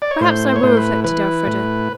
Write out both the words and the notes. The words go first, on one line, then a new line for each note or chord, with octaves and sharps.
"Perhaps I will," reflected Elfreda.
D5
C#5
A2 C5
C5
C#5
A2 C5
B4
E3 B4
A2